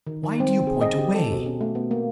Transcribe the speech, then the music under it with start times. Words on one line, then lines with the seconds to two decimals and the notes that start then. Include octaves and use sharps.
"Why do you point away?"
0.07 D#3
0.24 D#3
0.40 C4
0.67 G#4
0.81 D#5
0.99 G4
1.15 A4
1.32 B2
1.46 C#4
1.61 A3
1.75 B3
1.91 A#3